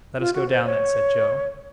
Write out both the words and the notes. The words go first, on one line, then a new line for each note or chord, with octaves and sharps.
"Let us go down, then!" said Joe.
F4
F#4
C5
C#5